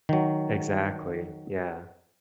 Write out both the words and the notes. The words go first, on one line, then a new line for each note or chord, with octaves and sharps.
Exactly, yeah.
D#3 F#3